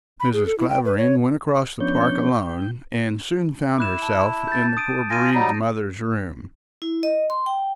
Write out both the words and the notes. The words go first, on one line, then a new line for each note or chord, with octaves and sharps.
Mrs. Clavering went across the park alone, and soon found herself in the poor bereaved mother's room.
B5
G#4
A4
E4
G5
B4
C#5
F3 B3 C#4 D4 C#5 G6
G5
E4 D6 F#6 E7
A5
G6 A6
D#6 D7 D#7
F4 G#5 A#6 D#7
F#3 G3 D#4
E4
D#5
C6
G5